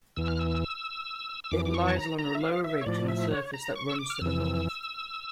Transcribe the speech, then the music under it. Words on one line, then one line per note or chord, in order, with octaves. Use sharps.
It lies along a low ridge in the surface that runs to the north.
E2 E3 E6
F6
E6
E6
F2 E3 D6
D6
C#6
A5
A#5
A#5
E5
F5
E5
C#5
A2 F3 D5
E5
C#5
A#5
C#6
E6
D6
F6
F2 E3 E6